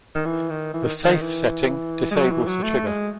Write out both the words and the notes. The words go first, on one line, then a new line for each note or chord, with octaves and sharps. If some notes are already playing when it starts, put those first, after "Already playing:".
The "safe" setting disables the trigger.
D#3
E3
D#3
E3
D#3
D#3
E3
G#3
F#3
E3
F#3
A3
G#3